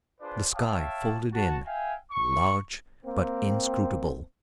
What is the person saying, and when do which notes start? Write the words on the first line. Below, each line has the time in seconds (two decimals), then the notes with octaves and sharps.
The sky folded in, large but inscrutable.
0.20 D4 F4 G#4 B4 C5 D5
0.55 C#5 E5 F5 G5 A5 D6
1.32 F#4 A5
1.66 E5 F5 G5 G#5
2.11 C#6
3.05 A#3 C4